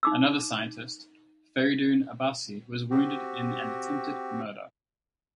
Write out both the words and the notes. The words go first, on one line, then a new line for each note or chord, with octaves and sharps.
Another scientist, Fereydoon Abbasi, was wounded in an attempted murder.
D#4 D6 E6
C4 F#4 G4